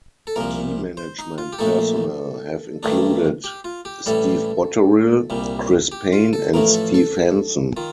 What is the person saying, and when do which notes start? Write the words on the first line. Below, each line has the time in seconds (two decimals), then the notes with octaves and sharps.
Key management personnel have included Steve Botterill, Chris Payne and Steve Hanson.
0.27 A4
0.36 C2 A#2 F3 A#4
0.97 C5
1.19 D#4
1.38 F4
1.53 G4
1.59 A#1 A#2 A3 D#4 A4
2.83 G2 D#3 A3 D4
3.44 G4
3.64 F4
3.85 G4
4.06 A1 A2 G3 A4
5.30 C2 A#2 G3
5.92 G4
6.13 F4
6.33 A4
6.53 A1 A2 F3 A3 A#4
6.74 A4
6.94 A4
7.77 D#3 F4